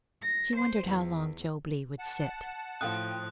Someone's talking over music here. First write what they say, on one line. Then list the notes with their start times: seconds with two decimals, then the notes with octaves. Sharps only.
She wondered how long Job Legh would sit.
0.22 A#6
0.56 C5
0.87 E2
1.99 F#5 A5
2.81 A2 F3 F5 G5 D#6 F#6